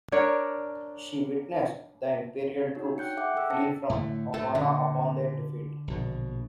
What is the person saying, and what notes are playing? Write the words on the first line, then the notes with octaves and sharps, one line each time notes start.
She witnessed the imperial troops flee from Aucona upon their defeat.
D4 A#4 C#5 D5
D4 D#4 F#4 C#5
G5 F#6 G6 C#7
G#4 E5 F#5 G5 D6 F#6
A4 G5 E6
D4 C5 A5 A#6 C#7
A2 D3 A3
A2 A3
A#2 D3
A#1 B2